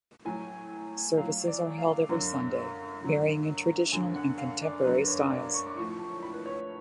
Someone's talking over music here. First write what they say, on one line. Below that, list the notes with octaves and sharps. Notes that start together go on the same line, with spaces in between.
Services are held every Sunday, varying in traditional and contemporary styles.
A2 F#3 G#5
A2 F#3 F5
D5
F5
F#2 D3 F#3
F#2 D3 F#3
F#2 D3 F#3 G#5
F#5
F5
D5
F#2 D3 F#3 B4
C#5
D5
C#6
D6
A2 F3 C#6
A5
B5
B4
C#5